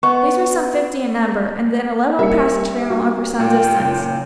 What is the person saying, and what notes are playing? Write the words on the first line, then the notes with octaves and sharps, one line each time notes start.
These were some fifty in number, and then a level passage ran along for some distance.
B3 C#6
G3 A#3 E5 C#7
F#4
A#2 F4 G5
F#1